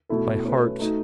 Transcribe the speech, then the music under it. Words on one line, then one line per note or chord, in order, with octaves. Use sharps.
My heart.
B2 A3 E4 A4
A3 C#4 F#4 B4
A3 D#4 F#4